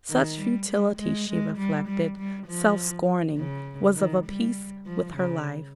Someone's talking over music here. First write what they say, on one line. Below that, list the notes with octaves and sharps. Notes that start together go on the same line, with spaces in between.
Such futility, she reflected, self-scorning, was of a piece with her life.
D#3
G3
G3
G#3
G#3
G3
G3
G3
F3
C#3
D#3
G3
F3
C#3